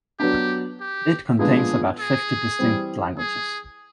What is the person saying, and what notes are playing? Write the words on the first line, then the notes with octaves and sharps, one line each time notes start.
It contains about fifty distinct languages.
F#3 B3 D4 G4
G4
A#2 F3 G#3 B3 D4 G#4
G#4
E3 G3 C4
G#4